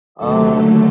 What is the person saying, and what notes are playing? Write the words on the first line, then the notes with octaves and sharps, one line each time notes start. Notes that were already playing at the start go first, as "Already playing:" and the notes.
Um, w
D#2 D3 F#3 A3 A4
A4